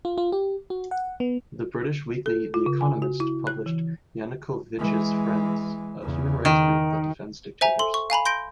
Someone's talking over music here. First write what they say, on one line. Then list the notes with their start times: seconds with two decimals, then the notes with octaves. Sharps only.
The British weekly "The Economist" published "Yanukovich's friends: A human-rights group that defends dictators".
0.05 F4
0.18 F4
0.32 G4
0.70 F#4
0.91 F#5
1.20 B3
2.26 A4
2.54 F4
2.66 C#3
2.81 G#5
3.02 F#4
3.20 E4
3.47 F#6
3.66 E3
4.78 E3 G#3
6.02 E2 C#3
6.45 D#3
7.61 C5 E5 G#5 A#5
7.79 A4 C6
7.94 C#6
8.10 F5 G#5 A#5 B5
8.25 C6 G6 A#6 D7 G7